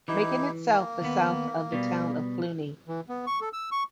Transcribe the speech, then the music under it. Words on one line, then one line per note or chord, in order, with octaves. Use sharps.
Macon itself is south of the town of Cluny.
E3 D#4 E4 G4
A#3
D#2 B3
B2 G3
E3
B3
C#6
A4
E6
C#6